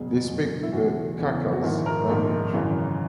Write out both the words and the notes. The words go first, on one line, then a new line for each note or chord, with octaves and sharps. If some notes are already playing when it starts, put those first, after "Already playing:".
They speak the Khakas language.
Already playing: F#1 E2 B2 G#4
F#1 E2 B2
E4
E1 E2 C#3 E3 F#4
E1 E2 C#3 E3
F#4
A#1 G#2 D#3 E4
A#4
A#1 G#2 D#3
G#1 F#2 C#3 E3